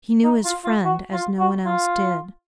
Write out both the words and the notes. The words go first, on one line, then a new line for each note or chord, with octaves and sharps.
He knew his friend as no one else did.
D#4
F4
F4
F#4
F4
F#4
F4